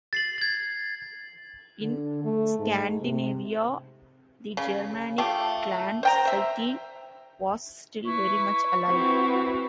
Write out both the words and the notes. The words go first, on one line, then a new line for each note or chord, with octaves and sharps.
In Scandinavia, the Germanic clan society was still very much alive.
A6 C7 F#7
G#6 A6
D3
A3
G#2
C3
C#3
A3 F4 G4
C5 G5 A#5
C5 E5
E4 B4 C#6
E3 C4 F#4